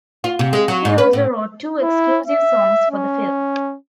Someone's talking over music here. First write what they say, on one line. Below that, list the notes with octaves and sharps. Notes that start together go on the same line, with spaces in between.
He also wrote two exclusive songs for the film.
F4
C3
G#3
F#3
G#2
B4
A2
E4
E5
C#4